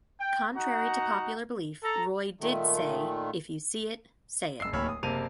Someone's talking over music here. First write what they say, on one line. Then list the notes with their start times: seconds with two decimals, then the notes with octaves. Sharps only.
Contrary to popular belief Roy did say "if you see it say it".
0.21 G5
0.56 D#4 F#4 F#5 A#5
1.84 A4 A#5
2.41 A#2 D#3 A3
4.60 F#1 E6 C7
4.73 D1 D#2 C#5 B5 E6 F6
4.89 D#6
5.03 F#1 C3 A#3 A5 D#7 F7